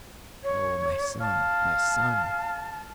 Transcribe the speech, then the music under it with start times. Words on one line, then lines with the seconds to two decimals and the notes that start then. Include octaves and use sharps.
Oh, my son, my son!
0.43 C#5
1.21 F5 A5